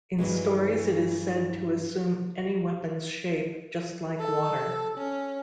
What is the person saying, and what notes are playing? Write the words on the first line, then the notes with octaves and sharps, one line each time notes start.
In stories it is said to assume any weapon's shape, just like water.
G2 E3 F#3 G#3
A4
C#4